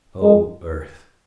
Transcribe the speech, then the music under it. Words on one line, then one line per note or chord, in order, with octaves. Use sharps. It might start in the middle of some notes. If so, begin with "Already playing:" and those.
Oh, earth!
G#3